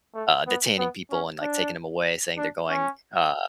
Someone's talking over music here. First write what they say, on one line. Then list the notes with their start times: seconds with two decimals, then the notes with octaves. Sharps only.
uh, detaining people and, like, taking them away, saying they're going uh,
0.14 A3
0.47 B3
0.78 B3
1.11 C#4
1.41 D4
2.37 D4
2.69 C#4